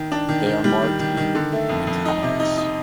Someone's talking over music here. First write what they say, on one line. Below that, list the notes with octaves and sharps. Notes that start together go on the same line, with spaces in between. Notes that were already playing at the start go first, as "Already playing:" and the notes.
They are marked in "italics".
Already playing: D#3
D4
D#3
D#3
G3
D#3
D#3
D#3
D3
A3
F2
F2
D#4
C3
D#4
D#4